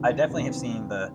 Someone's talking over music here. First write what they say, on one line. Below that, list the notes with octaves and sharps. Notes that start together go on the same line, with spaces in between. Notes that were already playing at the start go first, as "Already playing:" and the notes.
I definitely have seen the
Already playing: D#2 C#3 E3 C4
C4
D#2 C#3 E3 B3
C4